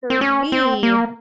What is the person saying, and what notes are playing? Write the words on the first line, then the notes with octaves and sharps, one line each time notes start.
For me,
C4
C#4
C4
A#3